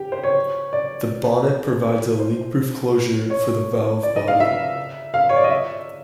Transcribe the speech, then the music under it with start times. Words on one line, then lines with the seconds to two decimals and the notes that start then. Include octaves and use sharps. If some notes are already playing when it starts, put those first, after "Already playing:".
The bonnet provides a leakproof closure for the valve body.
Already playing: G4
0.12 C5
0.23 C#5
0.73 D5
2.20 C5
3.30 C#5
4.03 D5
4.16 D#5
4.28 F5
4.40 E5
5.14 F5
5.29 C#5
5.36 D5
5.44 D#5
5.50 E5